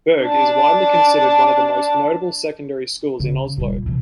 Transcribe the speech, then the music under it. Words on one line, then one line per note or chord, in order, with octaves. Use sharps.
Berg is widely considered one of the most notable secondary schools in Oslo.
D4 A5
C#3
A#2 G3
C3 E3